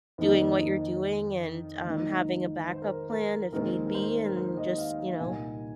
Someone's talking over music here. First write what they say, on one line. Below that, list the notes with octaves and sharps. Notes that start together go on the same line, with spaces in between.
doing what you're doing, and, um, having a backup plan if need be, and just, you know
F2 D#3 A#3 D#4
G#1 G#2 D#3 A#3 D#4
C5
A#4
A#4
D#2 D#3 G#3 C4 D#4 A#4
A#4
C5
A#4
C5
D#5
F5
F5
C2 A#2 A#3 D#4 G#5